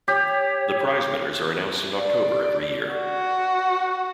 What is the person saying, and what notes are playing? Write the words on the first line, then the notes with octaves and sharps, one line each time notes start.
The prize winners are announced in October every year.
G4 C#5
D5
F#4